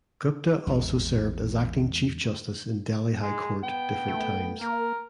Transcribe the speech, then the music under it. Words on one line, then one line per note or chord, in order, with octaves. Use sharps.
Gupta also served as acting Chief Justice in Delhi High Court different times.
A1 E2 G#3
G#3
B3 G5
A3
A#3 A#4